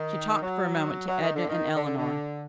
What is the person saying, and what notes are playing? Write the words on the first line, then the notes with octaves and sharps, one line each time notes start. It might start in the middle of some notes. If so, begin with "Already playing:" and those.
She talked for a moment to Edna and Eleanor.
Already playing: D#3
F#3
F#3
D#3
D3
D#3
D3
D3
D3